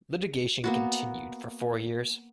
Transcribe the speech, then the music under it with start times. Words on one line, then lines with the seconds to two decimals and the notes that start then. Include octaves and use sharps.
Litigation continued for four years.
0.64 A#3 B3 F#4